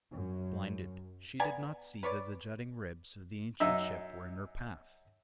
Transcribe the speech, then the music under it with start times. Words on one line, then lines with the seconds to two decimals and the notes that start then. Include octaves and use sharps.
Blinded, she did not see that the jutting ribs of the ancient ship were in her path.
0.13 F#2
1.40 B3 D5 G#5 A#5
2.03 B4 C#5 D5
3.60 F#2 D#4 E5 E6